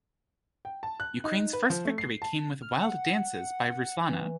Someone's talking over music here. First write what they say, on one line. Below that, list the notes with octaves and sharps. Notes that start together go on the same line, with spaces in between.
Ukraine's first victory came in with "Wild Dances" by Ruslana.
G5
A5
F#6
D#4
B4
F3
A3
C7
A5
F6
F#5
E3